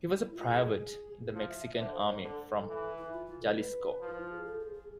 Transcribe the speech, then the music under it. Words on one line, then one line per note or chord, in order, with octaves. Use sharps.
He was a private in the Mexican army from Jalisco.
E4
F4
G#4
E4
F3 F4
E5
E5
D3 C5
C5
C5
D3 A4
E3
E4
F4
F4
A4
B4
F3
E4
F4
G#4
A4
G#4
G#4